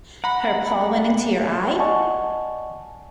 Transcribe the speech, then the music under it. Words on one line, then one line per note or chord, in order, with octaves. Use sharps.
Her paw went into your eye?
F#5 A#5 B5
D5 D#5 F#5 G#5 A5 C#6